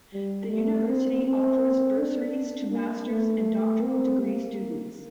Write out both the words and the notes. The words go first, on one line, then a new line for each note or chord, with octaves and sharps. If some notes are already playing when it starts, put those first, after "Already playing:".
The university offers bursaries to master's and doctoral degree students.
G3
A3
C4
C4
D4
A#3
A3
C4
A#3